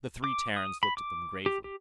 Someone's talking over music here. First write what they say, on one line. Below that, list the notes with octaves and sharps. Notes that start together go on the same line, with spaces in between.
The three Terrans looked at them gravely.
D6
D#6
B5
D6
G4
G4